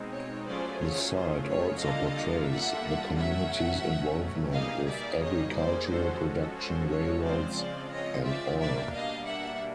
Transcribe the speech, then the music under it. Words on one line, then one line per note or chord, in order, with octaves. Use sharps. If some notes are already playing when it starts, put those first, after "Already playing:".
The site also portrays the community's involvement with agricultural production, railroads, and oil.
Already playing: B2 G#3 C4 D#4
C#5
F#3 A3 C#4 F4 G#4 C5 D5
C#5
C5
C#5
G3 A#3 D4 F4 A4 D#5 F5
E5 F#5
B2 F#3 A3 C#4 E5 F#5
B2 G3 A#3 D#4 G#4 D#5 F5
D5 E5
C#5 D#5
C5 D5
F3 G#3 C#4 F#4 A4 C5
C5
C#5
C#3 F3 G#3 C4 F4 C5 D5
C5 D5
C#5 D#5
D5 E5
B2 G3 A#3 D4 D5 E5
D#5 F5
E5 F#5